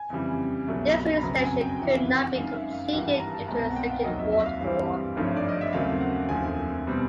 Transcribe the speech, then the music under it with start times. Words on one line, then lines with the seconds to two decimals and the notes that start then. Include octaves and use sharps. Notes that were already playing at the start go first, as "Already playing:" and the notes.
This route extension could not be completed due to the Second World War.
Already playing: G#5
0.10 F2 C#3 E3 G3
0.67 C2 B2 F#3 A3
1.17 B5
1.23 F#1 F2 C#3 F#3 B3 A#5
1.41 G#5
1.61 G5
1.79 F1 F2 C3 E3
1.95 F5
2.07 F#5
2.36 F#2 D#3 G#3 F5
2.48 F5
2.54 E5
2.73 F5
2.92 G#1 G2 E3 G3 F#5
3.14 A5
3.20 A#5
3.34 A5
3.47 C2 B2 G#3 C4 A#5
3.56 A5
3.62 A#5
3.70 F#5
3.76 G5
3.85 F#5
3.89 F5
4.04 F1 D#2 D#3 F#3 A#3 D#5
4.19 E5
4.32 E5
4.46 F5
4.61 G2 E3 G3 C4
5.16 G#1 G2 D3 F3 A3
5.24 C#5
5.36 D5
5.49 D#5
5.61 E5
5.72 D#2 C#3 F#3 A3 C4 F5
6.00 F#5
6.29 F1 D#2 D3 F3 A3 G#5
6.87 B2 G3 C4